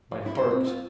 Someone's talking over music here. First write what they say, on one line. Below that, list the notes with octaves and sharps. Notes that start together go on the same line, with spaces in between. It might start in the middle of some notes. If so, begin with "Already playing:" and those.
My heart.
F3
E4
C5
C4
F4